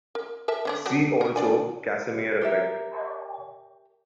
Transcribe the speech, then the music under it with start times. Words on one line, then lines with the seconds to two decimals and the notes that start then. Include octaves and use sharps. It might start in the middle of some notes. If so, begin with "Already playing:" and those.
See also Casimir effect.
0.15 A#4
0.48 A#4 E5 A5
0.65 D3 C#4 D4
0.86 F#3 G3 D4
1.21 A#4
1.36 D4 D5 G#5
2.41 G4 A#4 E5